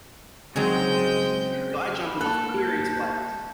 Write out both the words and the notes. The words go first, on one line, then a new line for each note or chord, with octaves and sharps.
Guy jumping off a pier into lake.
C#3 F#3 G#3 C4 D#4 G#4 G5
A#3 A4 A5 F#6